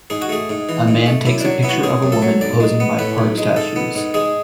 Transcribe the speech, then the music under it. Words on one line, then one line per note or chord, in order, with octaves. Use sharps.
A man takes a picture of a woman posing by park statues.
G#2 G#4
F#4
A3 G#4
G#2
E3
G#2
A3
F#2 E4
F#3 D4
B3 E4
F#4
C#3 G#4
F#2
A4
F#3
B1 D5
G#3
B3
A2 B4
B1
G#3
G#2 A4
B3
G#2
G#3 G#4